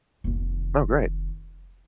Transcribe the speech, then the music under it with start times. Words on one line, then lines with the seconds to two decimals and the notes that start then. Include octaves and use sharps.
Oh, great.
0.24 F1 D#3